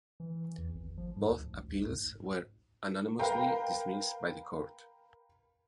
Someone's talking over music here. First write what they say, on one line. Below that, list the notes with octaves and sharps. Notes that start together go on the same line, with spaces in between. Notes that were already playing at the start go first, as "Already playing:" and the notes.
Both appeals were unanimously dismissed by the court.
E3
E2
G#1
F3
G#2
D2
A1
D2
G#2
A#4 B4 F5 G5 A#5